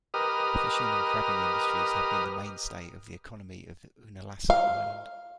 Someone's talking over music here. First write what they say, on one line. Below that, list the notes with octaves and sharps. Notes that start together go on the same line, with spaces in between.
Fishing and crabbing industries have been the mainstay of the economy of Unalaska island.
G4 A#4 B4 D#5 D#6 F6
F5